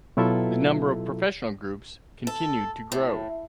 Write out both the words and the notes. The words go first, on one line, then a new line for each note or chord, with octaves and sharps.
The number of professional groups continued to grow.
B2 F#3 E4 F4 A4 E5
A4
A2